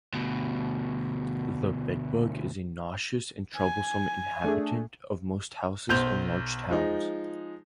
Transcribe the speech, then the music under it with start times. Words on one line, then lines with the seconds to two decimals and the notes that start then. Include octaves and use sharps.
The bedbug is a nauseous and troublesome inhabitant of most houses in large towns.
0.13 D2 B2
3.56 G#5
4.44 A3 D4 G#4
5.89 B1 C5 G6 F7
6.70 F3 G#3 D#4